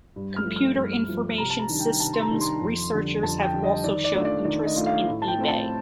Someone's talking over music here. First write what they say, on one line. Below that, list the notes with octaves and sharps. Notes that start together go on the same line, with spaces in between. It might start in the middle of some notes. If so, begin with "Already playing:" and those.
Computer information systems researchers have also shown interest in eBay.
G2
F6
F3 A3
F6
G2
F3 A3
C3 A#5
A5
A#5
D#3 G3 D4
G5
C3 A5
C6
A#5
D#3 G3 D4
C6
F2
D3 G3
F2 A5
G5
D3 G3
D#5
D#3 D5
D5
A3 D4 F4
D5
D#3 D5
D#5
A3 D4 F4
F5
A2
A5
G5
A3 C4 F4
A5